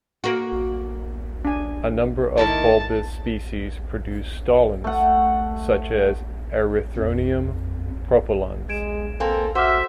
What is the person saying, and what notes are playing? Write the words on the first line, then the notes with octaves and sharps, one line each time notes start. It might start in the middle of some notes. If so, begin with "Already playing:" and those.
A number of bulbous species produce stolons, such as "Erythronium propullans".
A#3 F#4
D4 G#5
D#3 A#3 E4 A5
A3 F#5
F2
G#3 G#6 D7 E7
A#3 C4 A4 G#5
F#4 C5 E5 F#5 D6 F6